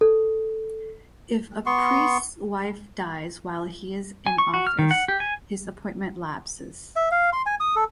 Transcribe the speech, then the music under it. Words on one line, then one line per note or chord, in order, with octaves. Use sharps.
If a priests wife dies while he is in office, his appointment lapses.
A4
B3 C6 C#6
G#5
C#6
F#4
F6
D#3
F#5
G4
G#5
E5
F5
C6
G#5
D#6
A4